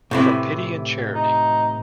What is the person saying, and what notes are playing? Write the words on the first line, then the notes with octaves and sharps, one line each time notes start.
From pity and charity!
A2 C3 E3
D#4